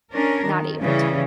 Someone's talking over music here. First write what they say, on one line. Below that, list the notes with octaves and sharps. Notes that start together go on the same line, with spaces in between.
not able to.
C#4 D4 A#4
D#3
C#3 E3 G3 C#4